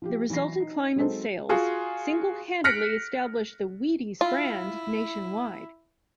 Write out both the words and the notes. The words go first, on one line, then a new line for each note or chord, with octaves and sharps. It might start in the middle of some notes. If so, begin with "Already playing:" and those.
The resultant climb in sales single-handedly established the "Wheaties" brand nationwide.
F3 F4 G4
E3 F#3 F#4 B5 A#6 C7
D#4
F#3 G#3 C4 D#4 A4 C5
F4 F#4 G#4
F6 F#6 A#6 B6 C#7 D7
E4 F4